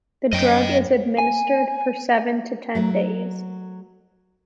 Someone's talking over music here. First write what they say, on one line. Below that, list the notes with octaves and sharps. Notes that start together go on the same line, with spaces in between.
The drug is administered for seven to ten days.
F#2 D#5 G5
G#5
F#3 A3 A#4